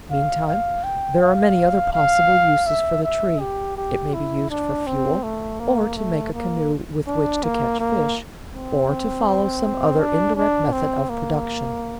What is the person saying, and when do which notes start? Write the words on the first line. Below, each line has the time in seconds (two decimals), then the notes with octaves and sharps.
Meantime, there are many other possible uses for the tree: it may be used for fuel, or to make a canoe with which to catch fish, or to follow some other indirect method of production.
0.11 F5
0.47 F5
0.84 G5
1.21 F5
1.93 F5
2.67 E5
3.03 E5
3.40 G4
3.77 G4
4.14 E4
4.50 D4
4.87 C4
5.23 A3
5.60 A#3
5.97 A3
6.33 A#3
7.07 D4
7.43 A#3
7.80 A#3
8.53 C4
9.99 D4
10.36 D4
10.72 C4
11.09 A#3